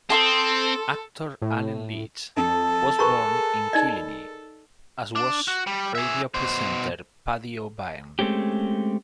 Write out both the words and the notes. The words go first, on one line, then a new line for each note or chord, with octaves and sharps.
Actor Allen Leech was born in Killiney, as was radio presenter Paddy O'Byrne.
C4 A4 A5 C6 D#6
A2
F2 A4 A5
G#4 A#4 B4 A#5 C#6
D#4 D5 D#5
D4
F#4
G3
G#4 E5
B2 C5
G#3 A3 C4 C#4 G4